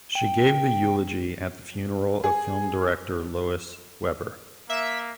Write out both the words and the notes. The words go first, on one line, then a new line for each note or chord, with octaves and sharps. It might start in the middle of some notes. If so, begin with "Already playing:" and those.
She gave the eulogy at the funeral of film director Lois Weber.
G5
G#4
A#3 E5